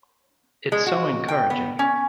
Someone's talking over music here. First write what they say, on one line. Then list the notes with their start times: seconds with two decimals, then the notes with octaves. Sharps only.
It’s so encouraging.
0.72 G#3
0.86 F#4
1.28 G5
1.50 B3
1.79 C#4